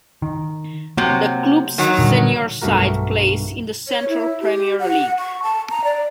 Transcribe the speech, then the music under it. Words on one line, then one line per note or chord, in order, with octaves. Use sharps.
The club's senior side plays in the Central Premier League.
D#3
C3 F#3 A#3
D#3 F#3
A#2 D3 G3
B1 G2 A3 F#4 A#4
C#5
E4
G4
F#5
C#6
A5
A#5
D5